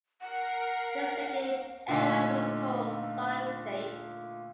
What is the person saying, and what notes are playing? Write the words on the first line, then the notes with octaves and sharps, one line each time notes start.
This second airline was called Sunstate.
A#4 F#5 C7
A#2 D3 A3 D#4